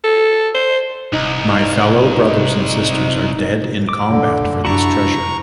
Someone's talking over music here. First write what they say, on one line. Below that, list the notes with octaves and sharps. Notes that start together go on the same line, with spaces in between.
My fellow brothers and sisters are dead in combat for this treasure.
A4
C5
D#1 C2 D#4
D#1 D6
F1 D3
F#2 C#3
E1 F#2 D4 E4 F#4 A#5 C#6